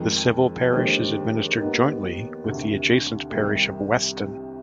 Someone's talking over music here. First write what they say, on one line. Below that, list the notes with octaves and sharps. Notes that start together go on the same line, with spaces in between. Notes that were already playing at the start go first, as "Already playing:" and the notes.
The civil parish is administered jointly with the adjacent parish of Weston.
Already playing: F2 D#3 G#3
D#2 D3 G#3 C4 D#4
D#2 D#3 B3 D#4
D2 C3 D#3
C2 C3 D#3 G3